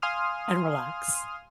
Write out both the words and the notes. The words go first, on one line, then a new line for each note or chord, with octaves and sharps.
and relax."
F5 G#5 C6 D#6 F6